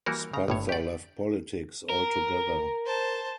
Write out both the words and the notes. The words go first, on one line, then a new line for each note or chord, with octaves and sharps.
Spencer left politics altogether.
E3 G3 A#3 F#4 A#4
C#3 A#5
G1 A2 C#5
G4 D5
A#4
C5 A5